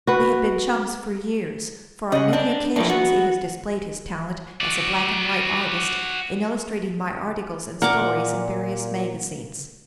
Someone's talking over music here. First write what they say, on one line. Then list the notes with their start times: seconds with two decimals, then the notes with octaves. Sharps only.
We have been chums for years, for on many occasions he has displayed his talent as a black and white artist in illustrating my articles and stories in various magazines.
0.07 F#4 B4
2.12 C#3 D#5 F#5
2.33 C4 D4 A#4
2.76 F3 A3 A#3 C#4 D4
2.90 B3 F#4
4.61 F#4 D5
7.82 A#2 A#4 F#5 D6